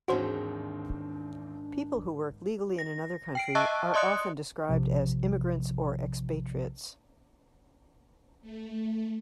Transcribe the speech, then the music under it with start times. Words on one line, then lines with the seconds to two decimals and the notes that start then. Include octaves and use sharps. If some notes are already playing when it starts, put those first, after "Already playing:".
People who work legally in another country are often described as immigrants or expatriates.
0.08 A1 D#2 G#2 D#3 C4 D4 F#4 C5
2.79 A#6
3.35 G5 C7 D7
3.55 D#5 E5 A5 C#6 E6 F#6
3.94 D5 D#5 C6 D#6 F#6 C#7
4.69 A#1 C3 F3
8.41 A3